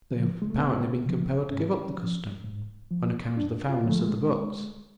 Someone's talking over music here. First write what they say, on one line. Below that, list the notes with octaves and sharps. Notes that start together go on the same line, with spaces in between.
They have apparently been compelled to give up the custom and account of the foulness of the brooks.
C#3 F3
G#3
A3
C#2 B3
C#3 F3
G#2 C#4
F3
G#2
F3
F#2 D4
F4
D3 F3 A3
G#3